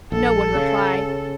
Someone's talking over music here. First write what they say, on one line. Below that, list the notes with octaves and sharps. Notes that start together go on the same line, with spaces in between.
No one replied.
A#1 A4
C#3